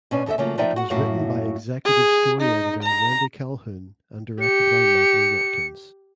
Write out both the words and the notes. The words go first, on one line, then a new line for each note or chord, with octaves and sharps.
It was written by executive story editor Wendy Calhoun and directed by Michael Watkins.
B2 C#4 D4
D#2 D3 A4 D#5 E5
C#3 F3 F#3 A3 A#3
F3 D#4 D5 E5 G5
F#4 F#5
F#2 A2 A#3 E4 F#4 F5
G#4
D#4
A#5
G4 C#7